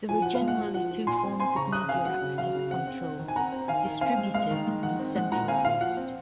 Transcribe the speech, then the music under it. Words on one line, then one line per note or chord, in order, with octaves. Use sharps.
There are generally two forms of media access control: distributed and centralized.
F3 G#5
F3 F#5
F5
G#3
F#5
F3
F3 F#5
F3
A#2 G#5 C6
C4
C4 G#5 C6
C#3 A#5 C#6
C#3 D#6 F#6
C4 F5 G#5
F#3 F#5
C#3
F#3 F5
C#3
C4 F#5
C4
C4
D#3
G#5
C4 F#5 A#5
C4
D#3 F5 G#5
D#3
C4 F5 G#5
G#3
G#3 F5
D#3
G#3
D#3 F#5
C4
G#3 F#5
A#2 F#5 A#5
C4 F5 G#5
A#2 F5
F3 F#5
C4